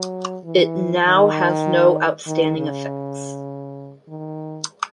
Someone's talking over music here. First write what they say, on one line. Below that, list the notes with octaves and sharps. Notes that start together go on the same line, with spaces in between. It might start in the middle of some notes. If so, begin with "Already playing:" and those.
It now has no outstanding effects.
Already playing: F#3
E3
D#3
D#3
C#3
D#3